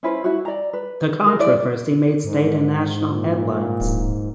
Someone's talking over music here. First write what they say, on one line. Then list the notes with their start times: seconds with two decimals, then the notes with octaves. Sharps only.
The controversy made state and national headlines.
0.03 C#4 E4 B4 C5
0.24 E4 F#4
0.45 D5 A#5
0.73 B4
1.26 A#4
1.39 E4 D5
2.24 G#2
3.09 A#2
3.81 D1